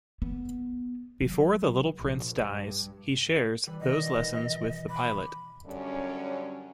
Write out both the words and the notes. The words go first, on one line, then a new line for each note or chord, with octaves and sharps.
Before the Little Prince dies, he shares those lessons with The Pilot.
B3
F#3
A#1
G2
E3 G3 B4
B2 D#3 D#5
E3
B5 D6
F#2 D3 G3 C#4